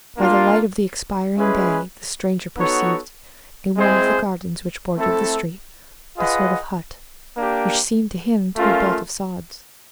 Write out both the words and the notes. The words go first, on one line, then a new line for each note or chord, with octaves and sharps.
By the light of the expiring day the stranger perceived, in one of the gardens which bordered the street, a sort of hut, which seemed to him to be built of sods.
A#3 D4 F4
G#3 C#4 E4 G#4 B4
B3 D#4 F#4 A4 C#5
G#3 C4 E4 G#4 C5
A3 C4 E4 A4
F4 G#4 B4 D#5 F#5
A#3 D4 G4
A3 C#4 F4 A#4